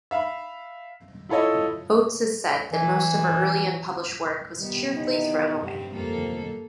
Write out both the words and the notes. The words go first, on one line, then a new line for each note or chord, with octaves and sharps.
Oates has said that most of her early unpublished work was "cheerfully thrown away".
E5 F5 B5
E4 F4 A4 C#5 D#5
E3
C3 D#3 G3 B3
D#3 E3 D#4
G2 C3 C4
F2 A#3 A4